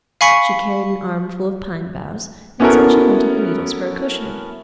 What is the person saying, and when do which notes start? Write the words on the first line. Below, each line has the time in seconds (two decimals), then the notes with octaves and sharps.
She carried an armful of pine boughs and said she wanted the needles for a cushion.
0.21 F5 G#5 B5 C#6 B6 C#7
2.60 B3 C#4 E4 F#4 A4 A#4